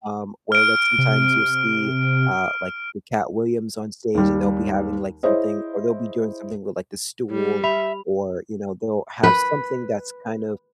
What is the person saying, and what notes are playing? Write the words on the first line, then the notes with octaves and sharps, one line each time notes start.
um, where look sometimes you'll see, uh, like, the Katt Williams on stage and they'll be having, like, something or they'll be doing something with, like, the stool or, you know, they'll have something that's kind of
F6 D7
C3
D#2 G3
E4 G#4 C5 C#5 D#5
G3
E5 B5 F7
B4